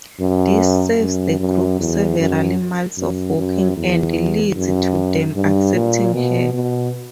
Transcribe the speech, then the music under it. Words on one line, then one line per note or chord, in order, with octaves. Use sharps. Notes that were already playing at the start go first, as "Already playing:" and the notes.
This saves the group several miles of walking and leads to them accepting her.
F#2
F#2
F#2
E2
F#2
F#2
F#2
E2
F#2
G2
A#2
B2
B2